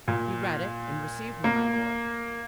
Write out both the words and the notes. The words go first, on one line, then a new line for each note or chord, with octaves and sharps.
"He read it, and received me, my lord."
A#2
A#3